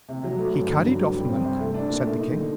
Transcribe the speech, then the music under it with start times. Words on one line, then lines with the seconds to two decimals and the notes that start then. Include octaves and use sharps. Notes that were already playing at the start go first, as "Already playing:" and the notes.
"He carried off Monk?" said the king.
0.08 C3
0.23 F#3
0.38 A3
0.53 G2
0.68 D3
0.84 F#3
0.98 G2
1.13 G3
1.29 C4
1.44 C3
1.60 A3
1.74 D4
1.89 A#2
2.05 A3
2.20 D#4
2.34 D3